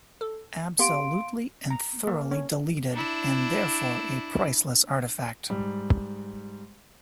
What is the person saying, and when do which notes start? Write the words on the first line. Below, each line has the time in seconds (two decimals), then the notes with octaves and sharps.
Absolutely and thoroughly deleted, and therefore a priceless artifact.
0.21 A4
0.79 A#3 B3 G4 F5 C6 D7
1.70 A#5
2.07 A#3
2.31 C#4
2.93 D4 E4
5.50 G#2 G3